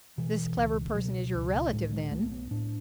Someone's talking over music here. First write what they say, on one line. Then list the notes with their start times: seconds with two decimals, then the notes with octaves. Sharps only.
"This clever person is your relative, then?"
0.18 B2 E3
0.57 C#2
0.95 B2 F#3
1.34 C#2
1.72 A2 G#3
1.92 G#3
2.11 B1 A3
2.31 B3
2.51 A2 D4